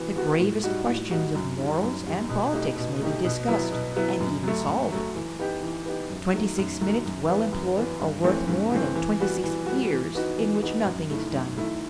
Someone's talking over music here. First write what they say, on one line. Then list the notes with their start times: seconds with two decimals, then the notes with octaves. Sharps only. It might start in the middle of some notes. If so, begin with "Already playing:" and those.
The gravest questions of morals and politics may be discussed, and even solved. Twenty-six minutes well employed are worth more than twenty-six years in which nothing is done.
Already playing: E3 B3 F#4
0.16 B3 F#4
0.39 A2
0.64 G3 D#4 F#4
0.88 A2
1.11 G3 D#4 F#4
1.35 F#2
1.58 D#3 G3
1.82 F#2
2.06 D#3 G3
2.29 B2
2.53 A3 D#4 G4
2.77 B2
3.02 A3 D#4 G4
3.25 B2
3.48 F#3 B3 E4
3.72 B2
3.96 F#3 B3 E4
4.20 F#2
4.43 F#3 A3
4.67 F#2
4.92 F#3 A3
5.15 E3
5.39 B3 D#4 G4
5.63 E3
5.86 B3 D#4 G4
6.10 F#2
6.34 D#3 F#3 A3
6.58 F#2
6.81 D#3 F#3 A3
7.06 F#2
7.29 E3 B3
7.53 F#2
7.77 E3 B3
8.00 G2
8.24 E3 A3 C4
8.47 G2
8.72 E3 A3 C4
8.95 E3
9.20 G3 B3 F#4
9.44 E3
9.66 G3 B3 F#4
9.90 E3
10.15 B3 D#4 F#4
10.38 E3
10.63 B3 D#4 F#4
10.85 F#2
11.09 D#3 A3 E4
11.33 F#2
11.57 D#3 A3 E4